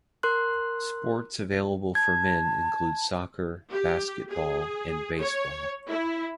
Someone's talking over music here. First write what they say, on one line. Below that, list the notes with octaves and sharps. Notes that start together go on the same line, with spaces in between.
Sports available for men include soccer, basketball, and baseball.
A#4 C6 F#6
A5 G#6
G4
G#4
C#5
E4